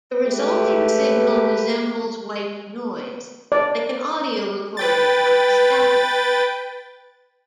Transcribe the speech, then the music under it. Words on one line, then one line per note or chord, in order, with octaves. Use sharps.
The resulting signal resembles white noise, like an audio recording of "static".
G#3 A3 G4 B4
D5
B4 G5 A6